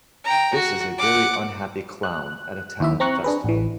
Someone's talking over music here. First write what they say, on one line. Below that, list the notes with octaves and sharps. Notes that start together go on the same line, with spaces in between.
This is a very unhappy clown at a town festival.
G5 A#5
F#4
F#5 D6
F#6
D#2 E4 E5
C4 A#5 C#6 F#6
D4 G#4 B4
A1 E3